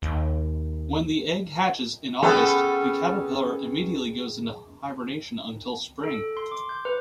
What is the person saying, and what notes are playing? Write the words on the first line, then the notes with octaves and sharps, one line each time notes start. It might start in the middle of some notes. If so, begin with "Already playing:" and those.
When the egg hatches in August, the caterpillar immediately goes into hibernation until spring.
D#2
B3 C#4 G#4 A4 G5
A4
C6
D6
G6
B4